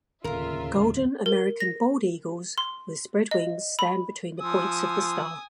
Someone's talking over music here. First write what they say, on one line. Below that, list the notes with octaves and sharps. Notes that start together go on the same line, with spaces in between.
Golden American bald eagles with spread wings stand between the points of the star.
D1 D#2 C#3 F4 A#4 E5
A#4
A#6
C6
D#5
B5
F3 G#5 D#6 E6